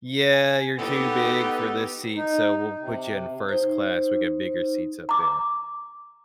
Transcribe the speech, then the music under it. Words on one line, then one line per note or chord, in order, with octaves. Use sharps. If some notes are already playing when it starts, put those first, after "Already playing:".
"Yeah, you're too big for this seat, so we'll put you in a first class, we got bigger seats up there."
G#5
B3 D#4 G4 A4
D#4
C3
D#4 C5
A#5 D6